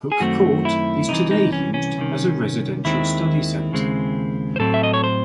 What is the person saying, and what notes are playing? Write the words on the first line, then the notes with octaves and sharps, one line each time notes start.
Hooke Court is today used as a residential study centre.
G#4
F#2 D#3 A3 C4 F#4
E4
C2 C3 E3 D#4
D#4
C#4
C#4
C2 C3 D#3
D#2 D#3 G#3 C4 E4
D#2 C#3 G#3 C4
C5
A2 F#3 C4 A4
E5
D#5
C#5
C5